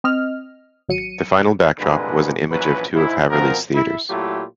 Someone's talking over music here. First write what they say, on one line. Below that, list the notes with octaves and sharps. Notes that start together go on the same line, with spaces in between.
The final backdrop was an image of two of Haverly's theaters.
C4 D#5 F6
G#1 F#3 C#7 D#7
C2 G2 A#2 D3 G#3 B4
A#1 E3 F#3 C#4 B4
G#2 E4
B2 F3 B3 C4 A#4
E4
A#2 F#3 A3 E4 F4 G4